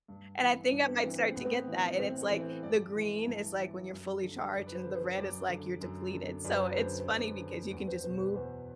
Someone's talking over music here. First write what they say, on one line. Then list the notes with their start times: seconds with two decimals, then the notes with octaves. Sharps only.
and I think I might start to get that, and it's, like the green is, like, when you're fully charged, and the red is, like, you're depleted, so, it's funny because you can just move
0.08 G2
0.41 E3
0.72 G2 D4
0.88 C4
1.04 E3 C4
1.20 C4
1.36 A2 B3
1.45 C4
1.55 B3
1.67 E3
1.99 A2 C4
2.21 A4
2.31 E3
2.41 C5
2.63 G2 D5
2.94 E3
3.26 G2
3.58 E3
3.90 F#2
4.22 D3
4.53 F#2 D5
4.66 B4
4.75 C5
4.85 D3
4.96 C5
5.17 F#2 D5
5.49 D3
5.81 F#2
6.13 D3
6.44 F#2 D5
6.55 C5
6.65 B4
6.76 D3 C5
7.00 C5
7.08 F#2 D5
7.40 D3
7.71 E2
7.88 C5
8.04 B2 C5
8.19 B4
8.35 E2 C5